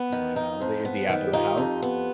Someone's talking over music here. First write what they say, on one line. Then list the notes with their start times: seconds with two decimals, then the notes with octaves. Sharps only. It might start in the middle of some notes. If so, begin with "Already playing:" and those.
Wow, they is he outta house?
Already playing: B3 B4
0.12 D#3
0.36 D#4
0.60 F2 C5
0.85 B3
1.09 D#3
1.27 G4
1.33 D#4 F4
1.58 F2
1.82 B3